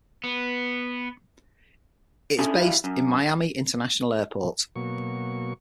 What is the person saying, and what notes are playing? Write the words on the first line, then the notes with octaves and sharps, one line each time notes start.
It is based in Miami International Airport.
B3
C#4 D4 E4 G#4 A4
F3 G3 E4 F#4 E5 F5
F#2
B2 F#3 A#3 C#6